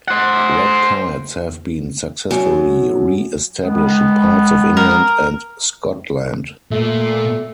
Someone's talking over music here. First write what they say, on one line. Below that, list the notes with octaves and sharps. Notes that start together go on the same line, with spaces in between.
Red kites have been successfully re-established in parts of England and Scotland.
C5 F#5
F#2
D#3 G#3 B3
A#4
A#2 A3